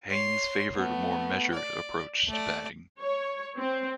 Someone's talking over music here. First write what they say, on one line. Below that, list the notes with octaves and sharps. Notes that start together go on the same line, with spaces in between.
Haynes favoured a more measured approach to batting.
C#5 C6
A3 B3
D5
A3 D5
C#5
C4